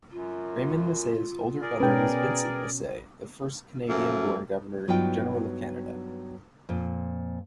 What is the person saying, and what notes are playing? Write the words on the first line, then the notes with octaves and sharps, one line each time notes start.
Raymond Massey's older brother was Vincent Massey, the first Canadian-born Governor General of Canada.
F#2 F4
G#4 A#4 D5
B2 C#4 B4 G5
F#2 F3 A3 A#3
G2 F#3 B3 D#4 F4 G5
F2 A#2